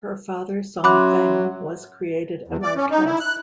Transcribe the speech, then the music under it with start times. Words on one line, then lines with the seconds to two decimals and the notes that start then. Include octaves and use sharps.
Her father Song Feng was created a marquess.
0.84 F#3 C#4 E5 B5 C6 D6 F#6
2.48 E2
2.63 D5
2.76 C#4
2.91 D#4
3.05 E4
3.20 F#6